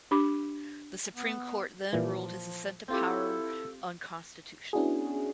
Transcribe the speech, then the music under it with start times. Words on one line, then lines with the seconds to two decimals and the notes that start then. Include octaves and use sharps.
The Supreme Court then ruled his ascent to power unconstitutional.
0.11 D4 G4 B5 D6
1.14 B3
1.93 A#2 E3 F3
2.88 C4 E4 F4 G4 A4
4.73 B3 C#4 D4 E4 F#4 G#4